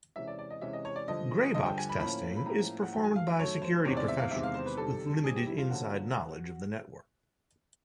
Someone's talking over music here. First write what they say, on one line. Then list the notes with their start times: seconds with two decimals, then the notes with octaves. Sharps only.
Grey-box testing is performed by security professionals with limited inside knowledge of the network.
0.16 C3 E3 G#3 C#4 E5
0.27 D5
0.39 D5
0.50 D#5
0.61 C3 E3 G#3 C#4 E5
0.73 D#5
0.85 C#5
0.96 D5
1.08 G2 D3 F3 D#5
1.54 G2 D3 F3 D#5
1.66 G5
1.77 G#5
1.89 B5
2.00 A2 F3 A#3 C#4 B5
2.37 B5
2.46 A2 F3 A#3 C#4 A#5
2.83 F#5
2.93 F#2 D#3 F#3 A3 G5
3.04 G#5
3.16 F5
3.27 E5
3.39 F#2 D#3 F#3 A3 C#5
3.62 C5
3.85 E2 C3 D#3 G#3 C4 C#5
3.97 D5
4.08 E5
4.19 F5
4.31 E2 C3 D#3 G#3 C4 E5
4.43 F5
4.54 C5
4.66 B4
4.77 F2 C3 D#3 G3 A4
5.24 F2 C3 D#3 G3 G#4
5.35 G4
5.47 E4
5.58 F4
5.69 D3 F3 A#3 C#4 F#4